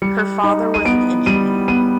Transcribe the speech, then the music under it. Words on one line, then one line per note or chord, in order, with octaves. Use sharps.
Her father was an engineer.
G3 C#7
D#4
D#7
B3 D7
G3 D#7
B3 D#7